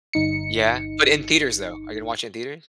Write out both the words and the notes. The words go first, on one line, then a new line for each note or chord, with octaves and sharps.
Yeah. But in theaters, though, are you gonna watch in theaters?
G1 D#4 C#7